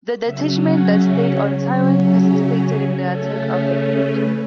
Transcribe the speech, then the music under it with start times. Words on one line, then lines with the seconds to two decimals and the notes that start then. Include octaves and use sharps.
The detachment that stayed on Taiwan participated in the attack on the Philippines.
0.24 C#3 F#3 C#4 E5
0.58 F#5
0.93 E5
1.27 C#5
1.62 C#3 F#3 C#4 C#5
1.97 E5
2.66 C#5
3.00 C#3 A3 C#4 A4
4.04 B4